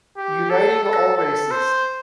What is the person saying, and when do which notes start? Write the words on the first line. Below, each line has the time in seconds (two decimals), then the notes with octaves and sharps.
Uniting All Races.
0.17 G4
0.50 A4
0.84 A4
1.18 A4
1.51 C5